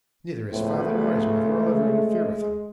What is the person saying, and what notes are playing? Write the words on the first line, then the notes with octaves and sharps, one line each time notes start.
Neither his father nor his mother will ever interfere with him.
C#2 A2 F3 B3 B4 C5
A3
G#3